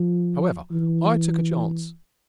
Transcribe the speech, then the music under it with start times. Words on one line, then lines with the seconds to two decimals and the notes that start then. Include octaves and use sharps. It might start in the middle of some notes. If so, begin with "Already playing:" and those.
However, I took a chance.
Already playing: F3
0.71 E3